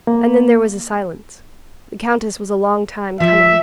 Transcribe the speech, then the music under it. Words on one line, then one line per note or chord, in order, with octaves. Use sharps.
And then there was a silence; the Countess was a long time coming.
A#3
F3 E5